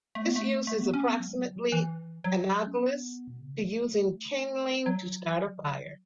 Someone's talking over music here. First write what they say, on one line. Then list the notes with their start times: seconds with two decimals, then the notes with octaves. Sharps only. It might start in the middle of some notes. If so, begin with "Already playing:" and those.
This use is approximately analogous to using kindling to start a fire.
0.15 A3
0.26 B3
0.36 A3
0.67 A3
0.80 B3
0.94 C#4
1.07 B3
1.20 F#3
1.29 A3
1.37 F#3
1.72 E3
2.24 F#3
2.67 C#4
2.77 B3
3.27 B2
3.41 C#3
3.55 E3
3.68 F#3
3.82 A3
4.86 F#3